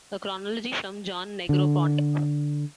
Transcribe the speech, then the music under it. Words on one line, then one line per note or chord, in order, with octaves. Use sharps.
A chronology from John Negroponte.
D3